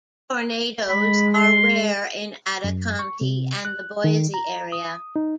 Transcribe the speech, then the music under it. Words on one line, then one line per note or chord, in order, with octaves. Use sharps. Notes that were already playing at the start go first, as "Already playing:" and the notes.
Tornadoes are rare in Ada County and the Boise area.
G#3 B5
C6
F#2
C#6
C3
F#6
D#3
A#5
D#6
D#4